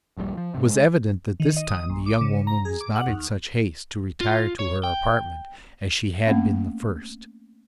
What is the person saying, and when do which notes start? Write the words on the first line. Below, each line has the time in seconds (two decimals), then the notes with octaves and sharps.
It was evident that this time the young woman was not in such haste to retire to her apartment as she had been the first.
0.17 D#1 A#1 B2 G3
0.37 F3
0.55 G#2 C3
0.69 G#3
1.40 D#3
1.57 D#5
1.68 D#6
1.90 A#1
2.06 D6
2.21 C#3
2.47 A#5
2.65 G#4
2.81 D6
2.95 F#5
3.07 D#2
4.21 F4
4.59 C#5
4.84 G5
6.26 A3 A#3 C4 C#4 F5